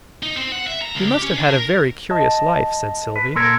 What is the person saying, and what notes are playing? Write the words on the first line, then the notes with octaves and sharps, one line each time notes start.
"He must have had a very curious life," said Sylvie.
D#4
C4
F#5
E5
A#5
C#2
G4
C#4
D4
A#4
D#5 A5
B4
A#2 A4 A#4 C6 E6 G#6